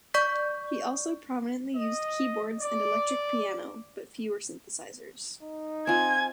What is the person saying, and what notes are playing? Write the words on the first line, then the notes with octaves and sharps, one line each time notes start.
He also prominently used keyboards and electric piano but fewer synthesizers.
D5 C#6 G6 B6
D#5
D5
D#4
C4 F4 G#5 G#6